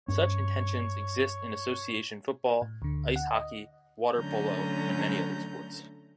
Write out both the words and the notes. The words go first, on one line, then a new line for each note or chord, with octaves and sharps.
Such intentions exist in association football, ice hockey, water polo and many other sports.
G2 C#4 C#5
A2
D2 D3
F#5
D#5
D3 F#3 A3 C#4 A#5 G6